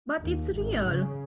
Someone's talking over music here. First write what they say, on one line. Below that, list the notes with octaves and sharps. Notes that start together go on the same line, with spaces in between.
But it's real!
D#2
G#1
C#3